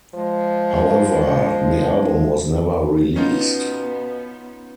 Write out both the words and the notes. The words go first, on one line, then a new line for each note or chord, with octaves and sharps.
However, the album was never released.
F3 G#3
B2 B3 C#4 D#4 F4